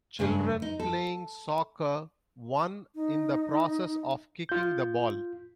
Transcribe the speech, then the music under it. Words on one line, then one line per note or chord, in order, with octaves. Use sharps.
Children playing soccer, one in the process of kicking the ball.
G2 C#3 C#4 D4
D#4
A4
D#4
F4 G6